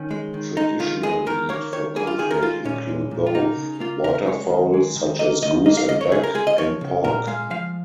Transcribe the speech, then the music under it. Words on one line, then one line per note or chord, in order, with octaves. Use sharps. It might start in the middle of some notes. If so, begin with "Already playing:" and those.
Traditional meat for confit include both waterfowl such as goose and duck, and pork.
Already playing: D#3 C#4
G#3
D#3
G#3 D#4
D#3 F4
G#3 G#4
D#3 A#4
A#3 C#5
D#3 C#5
A#3 G#4
F4
D#3 G#4
A#4
G#3 F4
A#2 C#4
G#3
A#2
F4
A#3 D#4
C#3
A#3 F4
C#3 A#4
A#4
G#3 C#5
D#3
G#3
D#3
A#3 D#5
D#3 D#5
A#3 D#5
F5
D#3 D#5
C#5
C#3 G#4
A#4
G#3 G#4
D#5
F3 C#5
C#3
A#2 A#4
G#3 F5
F3 F5